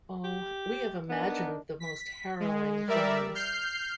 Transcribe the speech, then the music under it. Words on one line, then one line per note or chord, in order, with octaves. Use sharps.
Oh, we have imagined the most harrowing things.
G4
B3 D4 D#4 A#4
B6
G#3
G3 A#4 D5 E5
F6 G6 C7